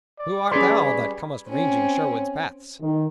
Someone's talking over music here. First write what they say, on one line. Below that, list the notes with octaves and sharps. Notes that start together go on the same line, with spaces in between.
Who art thou that comest ranging Sherwood's paths?
D5
G3 C#4 G#4 B4 G#5 C6
C4 C#4
D#3